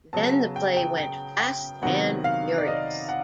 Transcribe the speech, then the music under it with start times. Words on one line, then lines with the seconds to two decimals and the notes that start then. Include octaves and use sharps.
Then the play went fast and furious.
0.13 C#3 F#3 B3 A5
0.56 G5
0.77 G5
0.98 G5
1.40 G5
1.82 C3 D#3 F#3 B3 F#5
2.24 F5
2.58 D5
2.67 D#5
3.09 F#5